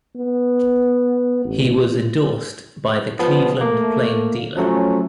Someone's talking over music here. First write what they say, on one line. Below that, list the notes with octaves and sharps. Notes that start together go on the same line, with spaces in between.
He was endorsed by the "Cleveland Plain Dealer".
B3
A1
G2 F3 G3 B3 F4
A3 A#3
F3 F#3 A3 C#4